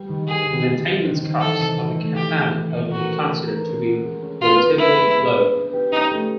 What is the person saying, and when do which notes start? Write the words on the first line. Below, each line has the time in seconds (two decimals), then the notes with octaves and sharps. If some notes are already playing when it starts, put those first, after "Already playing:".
The maintenance costs of the Katana have been considered to be relatively low.
Already playing: G3
0.09 D#3
0.28 G3 G#4
0.46 D#3
0.65 D#3
0.84 C4
1.04 D#3
1.22 D#3
1.40 E3 A4
1.60 C3
1.78 C3
1.97 A3
2.16 E3 G4
2.35 C4
2.54 C4
2.72 A3
2.91 F#4 A#4
3.10 C#4
3.29 C#4
3.47 A#4
3.67 C#4
3.85 F#4
4.03 G#3
4.22 C#4
4.41 B3 F4
4.60 B3
4.78 B3 E4
4.98 G#3
5.17 B3
5.35 D4
5.54 B3
5.73 G4
5.92 C#4 D#4
6.11 A3